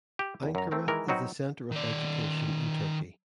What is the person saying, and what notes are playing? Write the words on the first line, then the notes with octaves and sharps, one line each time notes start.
Ankara is the center of education in Turkey.
G4
E2
F#2 A#5
A3 C4 A#4
D#3 E3 G#3 A#4
F#3 C4 D#4 F#4 B4
D#3 D5